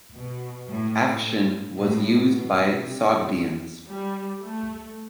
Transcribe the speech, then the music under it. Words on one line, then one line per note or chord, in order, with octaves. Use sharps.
Afshin was used by Sogdians.
B2
A2
A2
A2
B2
C3
G3
A3